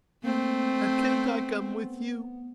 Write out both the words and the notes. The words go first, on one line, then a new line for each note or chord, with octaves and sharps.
"And can't I come with you?"
A3 A#3 C4
B3